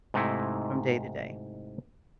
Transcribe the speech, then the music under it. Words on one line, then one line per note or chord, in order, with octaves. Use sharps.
from day to day.
G#2 C3 A3 D#4 E4